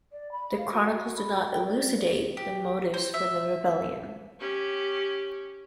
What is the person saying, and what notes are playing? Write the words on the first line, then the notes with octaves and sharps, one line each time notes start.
The chronicles do not elucidate the motives for the rebellion.
D5
B5
F5
F#4
F#4
B5
F#4
G5
D5
G4
C5
E5
C#4 G4